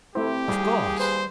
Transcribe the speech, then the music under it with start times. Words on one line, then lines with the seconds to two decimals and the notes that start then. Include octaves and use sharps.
"Of course."
0.15 A3 C4 E4 G4 C5
0.49 D#2 G3 G#4
1.00 B4 C5